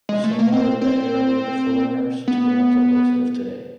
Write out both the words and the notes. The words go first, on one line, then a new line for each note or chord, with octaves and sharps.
The cinemas of that era were the forerunners to the multiplexes of today.
G#3
A3
A#3
C4
C4
B3